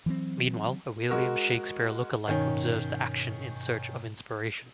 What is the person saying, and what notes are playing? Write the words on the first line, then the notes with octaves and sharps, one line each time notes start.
Meanwhile, a William Shakespeare look-alike observes the action in search of inspiration.
E3 F#3 A3 C4
G#3 F#4 A#4
G2 B2 D#3 C#4